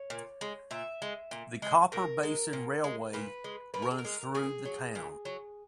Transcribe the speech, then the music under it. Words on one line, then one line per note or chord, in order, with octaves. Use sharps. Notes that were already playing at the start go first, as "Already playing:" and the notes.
The Copper Basin Railway runs through the town.
Already playing: C#5
A#2
G#3
A#2 E5
G#3
A#2
G#3
A#2 A#4
G#3
A#2
G#3
A#2 B4
G#3
A#2 B4
A#4
G#4
A#4
G#3
A#2 G#4
F#3
A#2
F#3